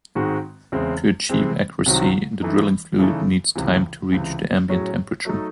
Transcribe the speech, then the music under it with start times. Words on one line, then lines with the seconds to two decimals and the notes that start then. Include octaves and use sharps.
To achieve accuracy the drilling fluid needs time to reach the ambient temperature.
0.15 G#2 D#3 G#3 C4 F#4
0.72 E2 C#3 G#3 C4 E4
1.29 C3 E3 G#3 C4
1.86 C2 C3 D#3 F#3 C4
2.42 E3 A3 D#4
2.99 C#3 E3 A3 D#4 A4
3.56 C#2 C3 E3
4.12 C#2 C3 E3
4.69 A2 F#3 C#4 G#4
5.25 F#3 A3 D#4 A4